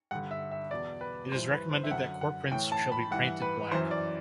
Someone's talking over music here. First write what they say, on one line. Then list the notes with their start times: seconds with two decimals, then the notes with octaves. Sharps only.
It is recommended that core prints shall be painted black.
0.11 G2 D3 F#5
0.31 E5
0.51 E5
0.71 E2 B2 D5
1.01 B4
1.32 G2 E3 C5
1.51 B4
1.71 C5
1.84 E5
1.91 F#2 D3 F#5
2.21 F#5
2.51 A2 E3 G5
2.72 A5
2.92 B5
3.11 G2 E3 F#5
3.42 B4
3.71 E3 C5
3.75 F#2
3.91 D5